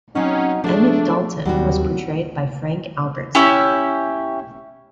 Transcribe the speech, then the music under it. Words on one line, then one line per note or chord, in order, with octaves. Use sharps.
Emmett Dalton was portrayed by Frank Albertson.
F#3 C4 C#4 D#4 F#5
F3 A3 D4 G#4
D#2 F#3 G3 C4 F#4
C#4 E4 G4